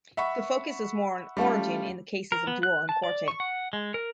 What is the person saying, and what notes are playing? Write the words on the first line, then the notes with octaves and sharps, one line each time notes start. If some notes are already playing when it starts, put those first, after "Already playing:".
The focus is more on origin in the cases of Duo and Quatre.
E5 F#5 B5 C#6
G3 A3 C#4 F4
A#4
B3
F#6
A5
D5
C#6
F#5
G#3
A#4